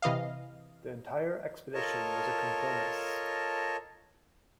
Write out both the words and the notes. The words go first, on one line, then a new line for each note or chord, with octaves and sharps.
The entire expedition was a compromis.
C3 E3 D#5 F5
F4 A4 A#4 C#5 D#5 A5